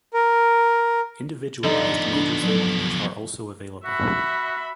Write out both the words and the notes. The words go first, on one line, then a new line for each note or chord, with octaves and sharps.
Individualized majors and minors are also available.
A#4
D3 F3 B3 D#4 A4
D4
F#3 A4
F#4 E5 B5